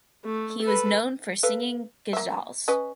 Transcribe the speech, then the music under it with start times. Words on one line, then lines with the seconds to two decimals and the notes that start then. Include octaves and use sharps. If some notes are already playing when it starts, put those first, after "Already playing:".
He was known for singing Ghazals.
0.24 A3
0.62 A4 B4
1.43 A4 B4 F5
2.13 A#3 E5
2.68 C#4 B4 D#5